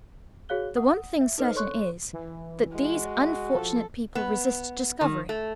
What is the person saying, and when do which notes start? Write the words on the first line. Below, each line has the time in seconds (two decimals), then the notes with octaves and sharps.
The one thing certain is, that these unfortunate people resist discovery.
0.49 F#4 G#4 C#5 F5 F#6 G7
0.77 F#5 D#6
1.21 E5
1.38 D#4 A4 B4 C5 D#5 F6
1.55 A4 C#5 C6 C#6 F#6
2.13 E3
2.74 G#3 F#4
3.54 F3 A4
4.15 B3
5.01 D#3
5.29 A3